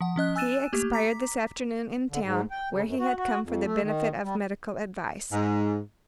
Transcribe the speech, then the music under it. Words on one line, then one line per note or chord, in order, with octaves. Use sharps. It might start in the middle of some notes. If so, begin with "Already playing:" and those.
He expired this afternoon in town, where he had come for the benefit of medical advice.
F3 F#5
F3 C#4 D#5 F#6
G#5 E6 F#6 A6 D#7 E7
A3 A#3 G4
A#5 D6 B6
D3
G#2
G5
C#3
F#2
F#4
F#4
F2
A3
D#3
G3
G#2